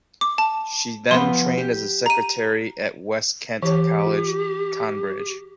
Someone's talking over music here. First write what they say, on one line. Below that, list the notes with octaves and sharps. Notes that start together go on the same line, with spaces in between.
She then trained as a secretary at West Kent College, Tonbridge.
D6
A5
F3 B3 B4 C6
G4
A#5 D#7
E3 G4 C#5
F4